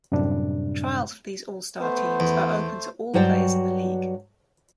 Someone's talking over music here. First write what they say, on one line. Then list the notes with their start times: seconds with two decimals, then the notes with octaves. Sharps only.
Trials for these All-Star teams are open to all players in the league.
0.12 F#2 A2 C3 G3 D4
1.81 A3 B3 C5
2.20 E2
3.14 G2 F#3 F#4 C5 D5 G5